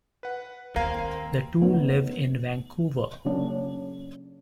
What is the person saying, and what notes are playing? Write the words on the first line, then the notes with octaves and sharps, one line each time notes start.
The two live in Vancouver.
B4 F#5
D#2 A#3 C4 F5 A#5 G#6 D#7
C#3 A3 B3 D#4 C#5
C#3 F#3 A#3 C#4 D4